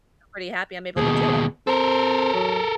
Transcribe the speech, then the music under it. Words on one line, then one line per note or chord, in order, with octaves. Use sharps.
I'm pretty happy I'm able to do it.
D#2 B2 G#4
C4 A4 A#4
F#3